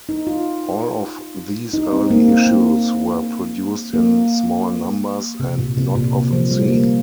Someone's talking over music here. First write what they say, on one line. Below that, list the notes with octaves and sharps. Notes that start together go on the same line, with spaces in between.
All of these early issues were produced in small numbers, and not often seen.
D#4
F4
D#4
C4
A#3
C4
A#3
A#3
C3
A#2
C3
A#2
C3
F3
G3
A#3